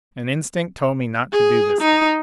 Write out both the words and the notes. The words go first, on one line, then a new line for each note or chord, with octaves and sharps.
An instinct told me not to do this thing.
G#4
D#4